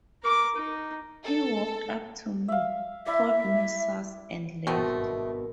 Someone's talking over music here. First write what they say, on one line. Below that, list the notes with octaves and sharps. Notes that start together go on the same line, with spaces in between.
He walked up to me, called me "sus", and left!
A#4 D6
D#4
A4
E5 F5
E4 D5 E5
G#1 G2 B2 A3 B3 C4 A#4